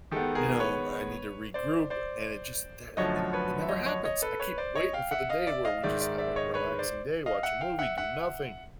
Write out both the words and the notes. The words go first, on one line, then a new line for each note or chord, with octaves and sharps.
you know, I need to regroup and it just, eh, it it never happens! I keep waiting for the day where we just have a relaxing day, watch a movie, do nothing.
D#3 G#3 B3 G4 A4
G#4 A#4
B4 C#5
C5 D5
C5 D5
F#2 D3 F3 A3 C#5 D#5
B4 C#5
E5
C#5 D#5
C#5 D#5
C#5 D#5
A4 B4
B4 C#5
C5 D5
C#5 D#5
F5 G5
E5 F#5
D#5 F5
D5 E5
D#5 F5
G#2 D#3 G#3 D5 E5
D5 E5
D5 E5
C#5 D#5
B4 C#5
C5 D5
D#5 F5
E5 F#5
F5 G5
E5 F#5
E5 F#5